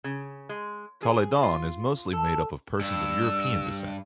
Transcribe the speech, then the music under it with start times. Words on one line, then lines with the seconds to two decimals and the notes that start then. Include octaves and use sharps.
Caledon is mostly made up of persons of European descent.
0.04 C#3
0.49 G#3
1.03 G#4
1.43 F4
2.13 A4
2.81 G2 E6